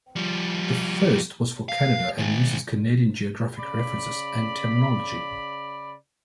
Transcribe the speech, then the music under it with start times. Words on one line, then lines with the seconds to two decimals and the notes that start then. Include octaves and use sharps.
The first was for Canada and uses Canadian geographic references and terminology.
0.16 F3 G3
1.69 F5
2.18 D#3 G#3
3.58 C#3 D5 B5